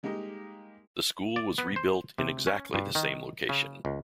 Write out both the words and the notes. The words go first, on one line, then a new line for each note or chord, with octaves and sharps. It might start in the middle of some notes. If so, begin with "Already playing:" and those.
The school was rebuilt in exactly the same location.
G3 G#3 A#3 D#4 G4 D#5
D5
B3
C5
C3
C#4
G2
D#3
C#3
C#2